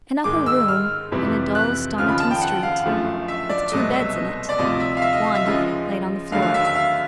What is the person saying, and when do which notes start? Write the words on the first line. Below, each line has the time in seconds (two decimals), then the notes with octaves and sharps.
AN upper room in a dull Stoniton street, with two beds in it--one laid on the floor.
0.24 G#2 D#3 G#3 D6
0.46 E6
0.68 F6
1.12 F2 C3 E3 G3
1.55 F#6
1.98 D#2 C#3 F3 G#3 F6
2.09 B5
2.20 A5
2.31 G5
2.42 F#5
2.63 F5
2.85 F#2 D3 F3 A3
3.28 E5
3.49 D5
3.71 C2 B2 F#3 A3 D#5
3.94 E5
4.15 D#5
4.49 D5
4.59 D2 C3 F3 D#5
4.80 E5
4.97 F5
5.02 E5
5.13 D#5
5.24 F5
5.35 E5
5.45 C#2 C#3 F3 G#3 D#5
6.31 D#2 D3 F#3 A3 F5
6.42 F5
6.54 E5
6.65 E5
6.76 F5